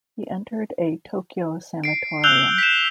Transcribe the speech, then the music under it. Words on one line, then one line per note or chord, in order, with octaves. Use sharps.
He entered a Tokyo sanatorium.
C7 D7
E6 F#6 G6 F7 G7
B6 E7